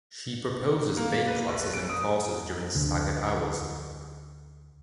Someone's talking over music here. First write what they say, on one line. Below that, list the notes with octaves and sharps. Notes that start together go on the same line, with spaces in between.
She proposes day classes and courses during staggered hours.
A#3
A#3
B4
A#1
D7
D#6
D2 D3